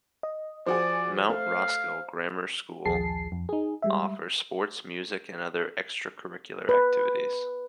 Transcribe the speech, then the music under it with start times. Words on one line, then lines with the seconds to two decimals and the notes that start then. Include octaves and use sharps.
Mount Roskill Grammar School offers sports, music and other extracurricular activities.
0.23 D#5
0.66 F3 F#4 G#4 C5 D5
1.29 A3 F5
2.86 A#1 D#2 F3 G#4 A5 C7
3.32 F2
3.49 D#4 G#4
3.82 G3 G#3 E5
6.69 B4